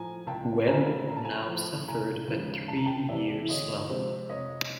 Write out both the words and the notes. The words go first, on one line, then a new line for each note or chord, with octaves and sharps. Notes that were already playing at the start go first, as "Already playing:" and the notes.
Webb now suffered a three-year slump.
Already playing: A2 F3 G#5 A#5
C#2 G5 A5
C#3 F#3 A3 C4 G#5 A#5
A#1 A#5
A5
G#5 A#5
A2 F3
F1 G#5 A#5
D#2 C#3 F3 G#3
F1 A5
A#5
G5 A5
E2 C3 E3 D5 E5
D2 C#5 D#5
C3 F3 G#3 C4
F1 C#5 D#5